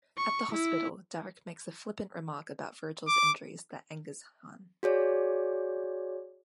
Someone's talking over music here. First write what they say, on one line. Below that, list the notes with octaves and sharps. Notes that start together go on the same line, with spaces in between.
At the hospital, Daric makes a flippant remark about Virgil's injuries that angers Han.
C#6
E4
D6
F#4 G#4 C#5 D5